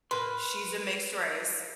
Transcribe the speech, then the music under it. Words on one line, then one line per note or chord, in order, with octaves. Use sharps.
she's a mixed race,
A#4 B4 C6